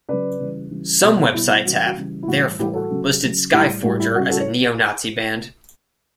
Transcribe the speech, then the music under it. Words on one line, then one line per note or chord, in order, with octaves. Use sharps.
Some websites have therefore listed Skyforger as a Neo-Nazi band.
C#3 F#3 B4 D5
C#3 E3 G3
C#3 E3 G3
B2 G3
B2 G3 E4
E4
C#3 E3 G3 F#4
F#4
C#3 E3 G3
E4
A2 E3 G3 F#4
A2 E3 G3 E4 G4
F#4 A4
C#3 F#3
C#3 F#3
A2 G3 E4 G4
A2 G3 F#4
E4
C#3 G3 F#4
F#4 A4
C#5